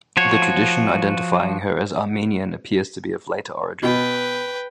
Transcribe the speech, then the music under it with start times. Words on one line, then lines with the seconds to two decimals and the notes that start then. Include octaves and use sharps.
The tradition identifying her as Armenian appears to be of later origin.
0.17 F3 F#4 C#5
3.83 B2 B4 G5